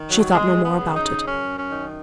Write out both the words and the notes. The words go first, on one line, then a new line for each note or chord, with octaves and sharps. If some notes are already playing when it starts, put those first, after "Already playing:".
She thought no more about it.
Already playing: D#3
F#3
F#2 G#3
B3
C#3
D#4
F#2 C#4
C#4
D#3